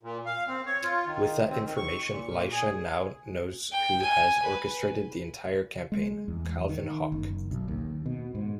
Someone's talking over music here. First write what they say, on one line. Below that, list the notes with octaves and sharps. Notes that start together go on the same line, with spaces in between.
With that information, Leisha now knows who has orchestrated the entire campaign: Calvin Hawke.
A#2
F5
C4
C#5
F4
D#3
C4
D#3
C#6
A#2
A#2
G#4
G5
G#5
B4
G#3
E2
D#3
F#1
B1
D#2
B2
G#2